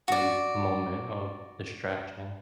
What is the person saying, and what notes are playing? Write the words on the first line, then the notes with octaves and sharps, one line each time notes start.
brief moment of distraction.
F#4 D5